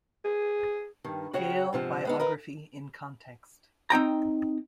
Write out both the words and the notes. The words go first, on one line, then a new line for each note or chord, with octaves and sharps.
"Gale Biography In Context".
G#4
G2 D#3
C#3 F#4 C#5 F#5 G5
G#2 C3 F3 C5
G#3 B3 D#4
A#4 B4 D#5 F5
C4 D#4 G5 A#5